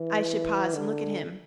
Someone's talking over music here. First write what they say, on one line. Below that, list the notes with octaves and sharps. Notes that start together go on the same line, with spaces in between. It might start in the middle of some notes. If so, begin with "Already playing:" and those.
I should pause and look at him.
Already playing: E3
D3